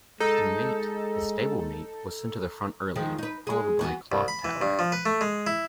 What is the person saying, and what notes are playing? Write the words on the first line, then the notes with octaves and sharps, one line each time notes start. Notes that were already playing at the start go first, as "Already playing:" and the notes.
Mate, his stablemate, was sent to the front early, followed by Clock Tower.
G#3 D#4 A4
D#3 F3 G#3
D#4 B4
G#3 G#4
E3 B3 F#4
C2
B5
E3
G2
F3
B4
A3
G#3
E4